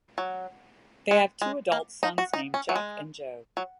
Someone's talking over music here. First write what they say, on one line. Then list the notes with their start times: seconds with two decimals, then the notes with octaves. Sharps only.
They have two adult sons named Jack and Joe.
0.18 F#3
1.11 G#3
1.42 G#3
1.72 A#3
2.03 D#4
2.18 F#4
2.33 D#4
2.54 C#4
2.69 F#3
2.76 G#3
3.57 F#3